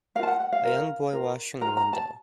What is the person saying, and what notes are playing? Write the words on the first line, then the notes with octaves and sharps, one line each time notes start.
A young boy washing a window.
F4 A#4 F5 A5
F#5
F#5
F5
F4 A#4
F4 A#4
F4 A#4 A#5
A#5
A5